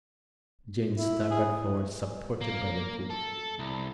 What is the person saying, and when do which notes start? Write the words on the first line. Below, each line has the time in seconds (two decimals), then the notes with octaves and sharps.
Jane staggered forward supported by the cook.
0.95 E4
1.31 G#4
2.41 A#3
3.10 A4
3.59 C2